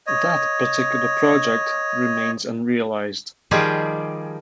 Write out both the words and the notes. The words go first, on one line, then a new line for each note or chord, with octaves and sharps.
That particular project remains unrealized.
C#5 D#5
D#3 F3 G3 F4 G4 G#4